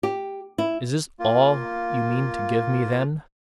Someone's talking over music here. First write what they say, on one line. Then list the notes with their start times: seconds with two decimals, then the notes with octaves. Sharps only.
'Is this all you mean to give me, then?'
0.03 G4
0.58 E4
1.19 A#3 F4